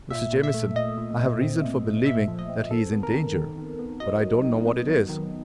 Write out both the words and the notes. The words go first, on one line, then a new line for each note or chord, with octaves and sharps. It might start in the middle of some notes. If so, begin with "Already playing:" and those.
Mr. Jamieson, I have reason for believing that he is in danger, but I don't know what it is.
A#2 E5
A#2
E5
A3
A#2 D#5
A#2
A#2
C4
A#2
A#2
A#2 E5
F3
D#5
C4
D#3 A4
B3
A#4
D#3
D#3
D#3
B3
F#3 D#5
F#3
D#3
B3
F#3
D#3